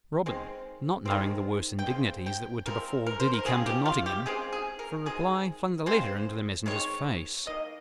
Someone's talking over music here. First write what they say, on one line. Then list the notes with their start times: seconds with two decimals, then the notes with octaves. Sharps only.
Robin, not knowing the worse indignities that were to befall did he come to Nottingham, for reply flung the letter into the messenger's face.
0.26 D#3 G#3 C4
1.06 D#3 G#3 C4
1.79 G5
1.86 C#3 G#3 C4
2.26 G5
2.66 F3 G#3 C4 A#4
3.07 A#4
3.20 C5
3.34 A#4
3.46 C#3 F3 G#3 C4 G#4
3.66 G4
3.86 F4
4.06 G4
4.26 C#3 G#3 C4 G#4
4.53 G#4
4.79 A#4
5.06 D#3 G#3 C4 G#4
5.86 C#3 G#3 C4 C5
6.66 D#3 G#3 C4 C#5
7.46 D#3 D#5
7.50 A#3